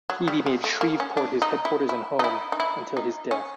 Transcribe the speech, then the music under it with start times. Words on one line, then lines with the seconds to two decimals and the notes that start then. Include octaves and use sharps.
Peavy made Shreveport his headquarters and home until his death.
0.10 F#3
0.28 G3
0.46 G#3
0.64 A3
0.81 A#3
1.00 C#4
1.17 D4
1.42 D#4
1.65 E4
1.89 E4
2.19 D#4
2.24 E4
2.52 D#4
2.60 E4
2.97 D#4
3.31 C#4